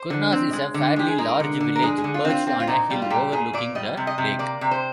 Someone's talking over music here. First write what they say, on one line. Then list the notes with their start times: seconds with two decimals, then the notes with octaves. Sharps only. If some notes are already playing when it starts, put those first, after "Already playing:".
Kournas is a fairly large village perched on a hill overlooking the lake.
Already playing: C5
0.10 D3
0.32 C4
0.53 G#3
0.74 D3
0.96 G#3 G4
1.08 G#4
1.18 G#3 A#4
1.40 D3
1.60 D3
1.76 A#4
1.82 G#3 G#4
1.98 G#4
2.04 D3
2.14 F4
2.25 C4
2.30 F4
2.47 C4 F4
2.60 F4
2.67 A#2 D#4
2.90 G3 F4
3.02 F4
3.10 A#2 G4
3.32 A#2 G#4
3.53 A#2 D5
3.75 G3 D#5
3.97 C3
4.07 D#5
4.18 C3
4.39 A#3 D5
4.61 C3
4.71 C5